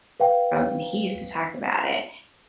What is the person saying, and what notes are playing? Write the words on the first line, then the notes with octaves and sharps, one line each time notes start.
Thrones," and he used to talk about it.
B4 F5 G5